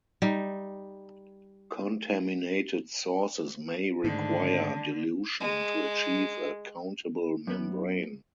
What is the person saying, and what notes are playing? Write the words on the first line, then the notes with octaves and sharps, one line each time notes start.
Contaminated sources may require dilution to achieve a "countable" membrane.
G3 D#4
G#2 D3 D#3 A3 A5
G#3
F#2 B3